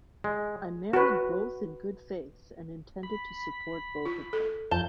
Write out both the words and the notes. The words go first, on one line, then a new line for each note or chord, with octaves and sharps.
I married both in good faith and intended to support both of them.
G#3
F#4 B4
B5
F4
A4
F2 F4 A5 G6